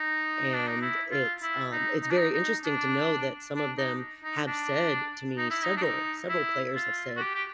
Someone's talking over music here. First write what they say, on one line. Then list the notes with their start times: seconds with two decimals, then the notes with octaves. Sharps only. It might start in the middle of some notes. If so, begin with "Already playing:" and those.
and it's, um, it's very interesting to know that some of them have said to me, several, several players have said,
Already playing: D#4
0.55 D4
0.68 D#4
0.81 E4
1.11 F4
1.42 E4
1.72 D#4
2.03 D#4
2.11 D4
2.18 D#4
2.33 D#4
2.64 D4
3.56 D4
3.77 D#4
4.24 D#4
4.47 D4
5.37 D#4
5.50 E4
5.64 D#4
5.77 D4
5.83 D#4
6.29 E4
6.75 F4
7.16 F#4
7.20 G4
7.35 G4